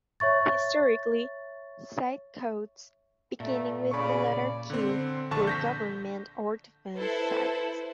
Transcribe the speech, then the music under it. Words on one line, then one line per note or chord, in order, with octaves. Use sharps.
Historically, site codes beginning with the letter Q were government or defence sites.
C#5 E5 C#6 A6
A#2 A3
E2 C#3 D5 B5 C#6
D3 C4
A#1 D3 A5 C#6
G6 A#6 B6
E4 A4 B4 C5